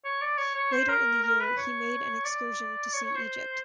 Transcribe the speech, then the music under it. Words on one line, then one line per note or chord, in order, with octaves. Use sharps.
Later in the year, he made an excursion to see Egypt.
C#5
D5
C#5
C#5
C5
A#4
A#4
B4
C#5
D5
C#5
C#5
C5